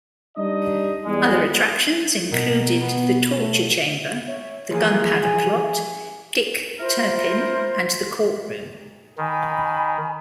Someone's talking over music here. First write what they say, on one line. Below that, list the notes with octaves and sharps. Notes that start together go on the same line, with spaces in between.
Other attractions included the Torture Chamber, The Gunpowder Plot, Dick Turpin, and the Courtroom.
G3 D4 D#4 D#5
E2 G3 G#3
B2 A#4
B3
A3
C#5 E5
E3 F3 A#3 G#4
G#5
E4 F4 A#4 C5
D#3 G#5 B5